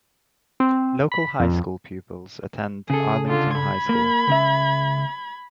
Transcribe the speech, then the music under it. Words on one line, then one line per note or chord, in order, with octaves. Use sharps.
Local high school pupils attend Arlington High School.
C4
B5
F2
C#3 G#4 A4
D3 F4
B5 G#6
A#3
C#2 C#3 E5